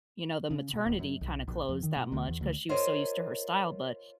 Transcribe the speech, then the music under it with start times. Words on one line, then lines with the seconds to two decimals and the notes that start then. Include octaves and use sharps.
you know, the maternity kinda clothes that much 'cause she was so used to her style. But
0.51 C#3
0.73 B2
0.86 D#1
0.99 F#2
1.21 B1
1.47 A#1
1.69 F2
1.83 D#3
1.96 B2
2.12 D2
2.28 E2
2.41 D2
2.69 F4 A#4 C5 C#5 D#5